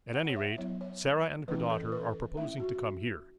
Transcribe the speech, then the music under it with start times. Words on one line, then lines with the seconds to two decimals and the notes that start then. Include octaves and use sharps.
"At any rate, Sarah and her daughter are proposing to come here."
0.14 F#5
0.30 C#5
0.36 E5
0.58 F#3 B3 E4 C#5
0.81 C#5
1.48 E3 A3 C#4 E4 B4
1.70 A4
1.92 B4
2.37 A3 C#4 E4 E5
2.60 F#4